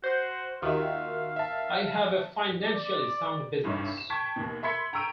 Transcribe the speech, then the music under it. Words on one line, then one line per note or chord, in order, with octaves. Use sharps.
I have a financially sound business.
F#4 C5
D#2 D#3 F4 F#4 E5 F5
E5 A5
D5
G1 C2 G2 D#4 C#5
E7
G5 A5 C#6 G#6 B6
D#2 B2
E5 B5 C6 G#6 B6 C#7
G5 A#5 C#6 E6 D7 D#7